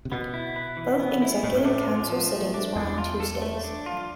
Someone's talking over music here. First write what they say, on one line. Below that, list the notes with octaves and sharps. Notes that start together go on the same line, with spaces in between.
Both Executive Council sittings were on Tuesdays.
C3
B2 B3
E4
B4
E3
B3
E4
A2 A3
G2
A2 D4
F4
F3
A3
D4
E2 D4
F4
A4
A3
D4
F4